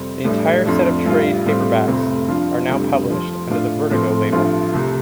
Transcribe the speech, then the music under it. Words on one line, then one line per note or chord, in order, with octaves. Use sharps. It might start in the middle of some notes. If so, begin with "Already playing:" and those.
The entire set of trade paperbacks are now published under the Vertigo label.
Already playing: F2 C3 G3 C4
A1 A2 G3 D4
F2 F3 A3 D4
A1 G2 G3 F4
A2 G3 C4 F4
F1 F2 C3 A3 C4
G2 F3 D4 F4
F1 F2 D3 G3 D4
F2 F3 C4
A2 A3 D4 F4
A2 F3 C4
A1 G2 F3 A3 F4
C2 C3 A3